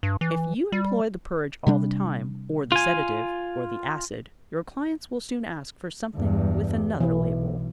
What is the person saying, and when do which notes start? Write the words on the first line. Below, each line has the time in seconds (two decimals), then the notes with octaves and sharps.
If you employ the purge all the time, or the sedative, or the acid, your clients will soon ask for something with another label.
0.03 G2
0.21 E3
0.72 G3
1.67 C3 G3 D4
2.72 F4 G#5
6.16 E2 G2
7.00 B1 E3